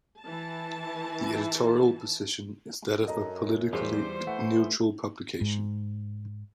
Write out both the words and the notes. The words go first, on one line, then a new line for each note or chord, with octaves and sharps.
The editorial position is that of a politically neutral publication.
E3 A5
F#2 A4 D#5 A#5
E2 E3 G3 F4 C5
E3 A3 F#5
G#2